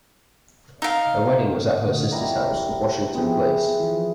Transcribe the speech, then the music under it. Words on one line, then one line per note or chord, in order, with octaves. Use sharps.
The wedding was at her sister's house, Washington Place.
D#4 F5
A#2 D3 A3 F#4 D#5 F5
F#3 G3 E4 A#4 D5 A#5
E3 F3 B3 C4 G#4
E3 F3